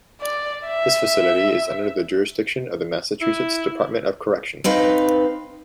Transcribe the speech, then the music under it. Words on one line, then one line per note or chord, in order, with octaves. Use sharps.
This facility is under the jurisdiction of the Massachusetts Department of Correction.
D5
E5
E4
C4 D#4 B4 F5